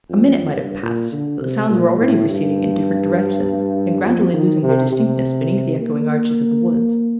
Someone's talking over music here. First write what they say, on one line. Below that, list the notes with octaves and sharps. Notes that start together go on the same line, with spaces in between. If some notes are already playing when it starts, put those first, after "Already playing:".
A minute might have passed, but the sounds were already receding in different directions, and gradually losing their distinctness beneath the echoing arches of the woods.
F2
G2
A#2
D3
C3
A#2
A2
G2
F2
D#3
C3
C3
A#3